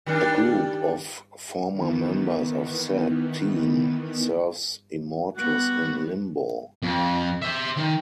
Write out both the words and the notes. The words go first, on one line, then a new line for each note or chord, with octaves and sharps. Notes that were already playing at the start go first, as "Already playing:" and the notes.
A group of former members of said team serves Immortus in Limbo.
D#3 G3 D4
D#3 E3 B3
G3 B3 F#4
F2
C5 E5
D#3